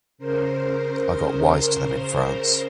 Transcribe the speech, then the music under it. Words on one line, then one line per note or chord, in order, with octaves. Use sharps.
I got wise to them in France.
C#3 A#4 C5